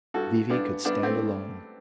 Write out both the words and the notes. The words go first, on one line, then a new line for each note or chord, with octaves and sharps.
V.V. could stand alone.
G2 F#4 A4
G2 B3 D4
G2 B3 D4
A3 C4